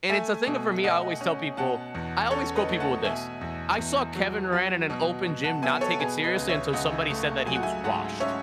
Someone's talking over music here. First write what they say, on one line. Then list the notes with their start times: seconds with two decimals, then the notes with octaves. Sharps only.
And it's a thing uh, for me I always tell people I always quote people with this, "I saw Kevin Durant in an open gym not take it seriously until somebody said that he was washed."
0.09 A3 E5 G#5
0.47 B2
0.84 B2 D#5 F#5
1.21 C#4
1.57 B2 F#5 A5
1.94 E2
2.31 C#4 A4 C#5
2.55 B4 D#5
2.69 A3
2.80 F#5 A5
3.05 B2 E5 G#5
3.41 E2
3.78 E2
4.15 F#3
4.52 F#3
4.90 B2
5.27 B2
5.44 F#5 A5
5.62 B3 E5 G#5
5.81 A4 C#5
5.99 B2 G#4 B4
6.24 B4 D#5
6.36 C#2
6.49 C#5 E5
6.73 C#2 D#5 F#5
7.10 A3
7.47 F#3 G#5
7.55 F#5
7.63 E5 G#5
7.84 G#2 F#5 A5
8.20 C#4 C#5 E5